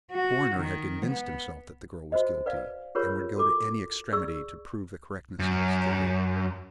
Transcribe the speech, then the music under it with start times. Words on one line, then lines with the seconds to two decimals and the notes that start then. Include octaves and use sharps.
The coroner had convinced himself that the girl was guilty, and would go to any extremity to prove the correctness of his theory.
0.11 F#4
0.56 D#3
1.08 B3
2.12 F#4 C5 D#5
2.46 B4 D5 F5
2.95 F4 G4 G#4 A#4 B4 C#5
3.36 F#4 A4 D6
4.13 G#4 D5 C#6 E6
5.39 F#2